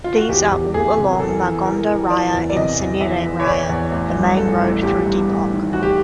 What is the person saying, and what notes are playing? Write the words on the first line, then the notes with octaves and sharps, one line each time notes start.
These are all along Margonda Raya and Cinere Raya, the main road through Depok.
F4
F#4
E2 G4
E2
E2 G#4
C3
A#4
E2 A4
E3
E3 A#4
E3
E3 D5
E2
D5
C3 D#5
E2
E2 E5
E3
C#5
E2 D5
E2
A1
G2
A1 A4
A1
A1 G4
G2
A1
D#3
A1 F#4
G4